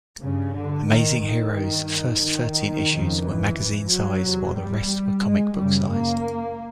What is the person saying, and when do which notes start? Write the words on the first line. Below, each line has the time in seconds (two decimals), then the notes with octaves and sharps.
"Amazing Heroes"' first thirteen issues were magazine-sized, while the rest were comic book-sized.
0.21 G2 C#3
0.55 D3
0.88 D#3
1.22 D#3
1.55 G2
2.22 D#3
2.89 F2 C#3
3.22 E3
3.89 F#3
4.23 E2 C3
4.56 G3
5.23 G#3
5.57 F#2 C#3 G3
5.91 A#3